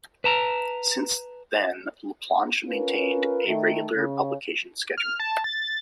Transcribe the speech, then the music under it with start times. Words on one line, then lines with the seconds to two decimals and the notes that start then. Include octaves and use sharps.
Since then, Laplanche maintained a regular publication schedule.
0.24 B4 A5 A#5
2.68 C#4 F4 A#4 B4
3.47 D#3 A3
3.96 C#3
4.98 F6
5.20 A5
5.44 A6